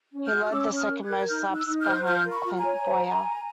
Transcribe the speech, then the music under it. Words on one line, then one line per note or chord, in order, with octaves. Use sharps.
He led the second most laps behind Clint Bowyer.
C#4
F6 G6
F#4
F6
C#4 D6 E6
C#4
D#6 F6
A#4
F#6 G#6
A#4
G#6
D#4 F6 G6
D#4
E6 F#6
D#4
F6 G6
C5
F#6
F4 F6 G6
A#4
B5 C#6
F4
G#5 A#5
C#5
C5